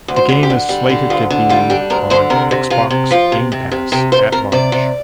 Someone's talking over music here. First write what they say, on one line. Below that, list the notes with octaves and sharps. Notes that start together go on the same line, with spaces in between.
The game is slated to be on Xbox Game Pass at launch.
D2
C5
D3
G4
D3
G3
D3
D2 F4
D3
G3 F4
D4 G4
D2 A#4
D3 C5
C3 A#4
C3
C3 F4
C3
F3 F4
C3
C3
C3
C3 G4
C3 C5
C3 A#4
C3 D5
C3